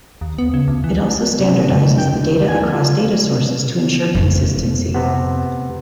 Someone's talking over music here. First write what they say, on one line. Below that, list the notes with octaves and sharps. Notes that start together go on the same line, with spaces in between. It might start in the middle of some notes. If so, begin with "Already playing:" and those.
It also standardizes the data across data sources to ensure consistency.
D#2
B3
C#3
D2
E3
C3
B2
F#2
D#3
G5
D2
D#2
G#5
A3
F4
F2 A3
C3 B3